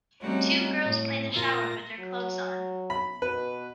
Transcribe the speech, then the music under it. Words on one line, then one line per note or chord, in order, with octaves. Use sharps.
Two girls play in the shower with their clothes on.
G3 A3 C4 C#4 D#4 F#4
A2
A#2 F4 A#4 A#6
F#3
B5
B2 B4